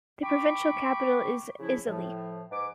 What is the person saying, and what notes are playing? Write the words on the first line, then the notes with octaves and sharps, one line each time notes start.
The provincial capital is Isale.
G5 B5 C#6 D6
C#3 F3 E4
A2 F3
G#2 B4 D6